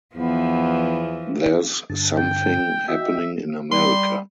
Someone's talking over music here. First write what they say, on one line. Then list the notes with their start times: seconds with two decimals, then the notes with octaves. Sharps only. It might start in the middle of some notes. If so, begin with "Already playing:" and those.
There’s something happening in America.
0.15 E2 E3 F3 B3
1.90 G2 D3 A5
2.18 G5
2.88 F#4 D#5 E5 G5
3.72 G3 C6